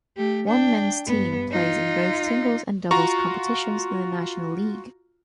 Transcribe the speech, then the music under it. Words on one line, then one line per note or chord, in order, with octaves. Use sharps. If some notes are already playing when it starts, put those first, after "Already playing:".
One men's team plays in both singles and doubles competitions in the National League.
A3 G4
D4 G5
G2 B3
D#4 F4
F4 F#4 A#5 C#6